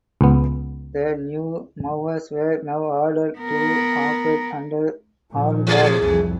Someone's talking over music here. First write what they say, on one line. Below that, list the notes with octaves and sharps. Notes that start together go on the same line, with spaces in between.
The new mowers were now ordered to operate under armed guard.
C#2 B3
B3 A#4
A#2 F3
E3 A3 G#4
C2 F2